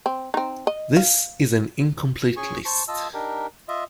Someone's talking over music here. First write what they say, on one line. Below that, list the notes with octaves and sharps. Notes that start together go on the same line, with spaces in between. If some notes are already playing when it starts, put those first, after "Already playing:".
This is an incomplete list.
C4
C4 D#4
D#5
F5
C#4 G#4 G#5 C#6
C5 A5 C#6
F4 D#5 A5 E6
D4 D#4 G4 A#4
F4 D#5 E5